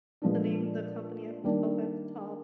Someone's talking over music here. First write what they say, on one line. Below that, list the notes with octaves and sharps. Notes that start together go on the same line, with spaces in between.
the name of the company up up at the top
A#2 F3 G#3 B3 D4
D#3 G3 A#3 D4